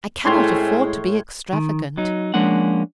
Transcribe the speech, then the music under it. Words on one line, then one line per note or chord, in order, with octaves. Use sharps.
I cannot afford to be extravagant.
A2 G#3 A3 C4 C#4 E4 C#5 C6
D#3
F#3 D#4
F3 G#3 A#3 C#4 D4 F#5